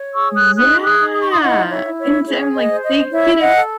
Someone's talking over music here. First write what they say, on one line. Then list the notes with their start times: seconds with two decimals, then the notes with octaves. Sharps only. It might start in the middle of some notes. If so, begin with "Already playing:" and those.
yeah, and I'm, like, they get a
Already playing: C#5
0.14 G#4 C#6 E6
0.35 D#6 F#6
0.57 D#4 D#6 F#6
0.84 D#6 F#6
0.99 D#4
1.13 D#6
1.22 C#6
1.31 C6 D#6
1.42 E4 D#5 F#5
1.70 C#5 E5
1.84 E4
1.98 C#5 E5
2.26 G#4 C#5
2.55 D#5
2.69 C5
2.83 D#5
3.12 E4 C#5 E5
3.39 D#5 F#5
3.54 A4